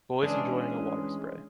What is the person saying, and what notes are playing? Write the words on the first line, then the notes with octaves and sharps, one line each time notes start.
Boys enjoying a water spray.
E3 G#3 C#4 D4 G#4